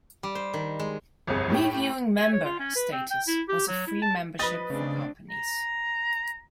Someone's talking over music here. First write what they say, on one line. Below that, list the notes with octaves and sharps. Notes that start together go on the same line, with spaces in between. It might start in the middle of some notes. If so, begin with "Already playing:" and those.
"Reviewing member" status was a free membership for companies.
G3
C5
D#3
G#3
G1 C2 F2 G#4
A2 G4 G5
G#5
C#5
F4
C#4
B4
C4
G5
E4
G4
F#3
E4
A5
F3 B4 D#5 D#6 A6 A#6
C#3 A3 C4 D4
A#5